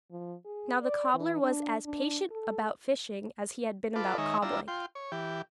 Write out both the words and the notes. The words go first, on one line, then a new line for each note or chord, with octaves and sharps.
Now the cobbler was as patient about fishing as he had been about cobbling.
F3
G#4
D5
E3
D4
D4
A4
F4 A4 B4 D6
D#3 G#3 D#4 C#5 E5
G3 D4 E4 F4 A#5 E6
F4 G5 C6
C#5
E3 G4